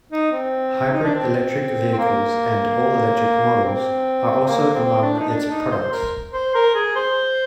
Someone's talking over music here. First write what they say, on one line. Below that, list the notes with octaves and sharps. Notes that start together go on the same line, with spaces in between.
Hybrid electric vehicles and all-electric models are also among its products.
D#4
C4
D#4
D4
C4
C4
A#3
C4
A#3
C4
D4
D#4
D4
D#4
C5
A#4
C5
A#4
G#4
C5